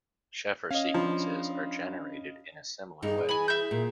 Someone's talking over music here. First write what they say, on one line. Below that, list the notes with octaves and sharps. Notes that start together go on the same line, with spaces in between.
Sheffer sequences are generated in a similar way.
C#4 D#5 F5
F3 D4 B5
G2 D#4 G#4
E3 G#5 B5
E5 G6
A#2